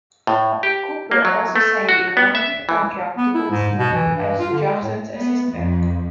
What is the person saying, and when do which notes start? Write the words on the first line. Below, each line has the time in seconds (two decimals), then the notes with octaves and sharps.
Cooper also signed a one-year contract to continue as Jackson's assistant.
0.27 A2
0.63 G4
1.11 A#3
1.25 F#3
1.56 A3
1.89 F#4
2.17 B3
2.35 E5
2.69 E3
3.17 B3
3.34 E4
3.50 G#2
3.78 B2
3.93 E3
4.15 G2
4.39 F4
4.52 D3
4.66 G#3
4.82 A2
5.16 B3
5.52 F2